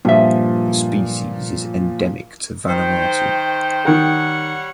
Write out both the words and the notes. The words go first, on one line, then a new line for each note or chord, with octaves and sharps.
The species is endemic to Vanuatu.
G2 A#2 F3 E5
D#3 C5 G5
D#3 G3 A#4 C#5 F#5